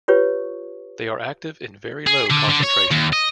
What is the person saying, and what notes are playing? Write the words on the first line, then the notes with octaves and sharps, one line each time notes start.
They are active in very low concentrations.
F4 G4 B4 C#5 C#6
G#4
D3
D3
C#5
D#2
D#5